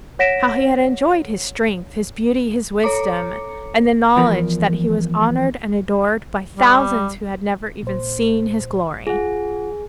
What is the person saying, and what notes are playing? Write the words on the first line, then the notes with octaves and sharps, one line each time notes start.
How he had enjoyed his strength, his beauty, his wisdom, and the knowledge that he was honored and adored by thousands who had never even seen his glory!
C#5 F#5 A#6 B6 D7 E7
A4 C#5 A#5 D6 C#7
E2 F3 A#4 B5
G3
A#2 C5
F4 G#4 F#5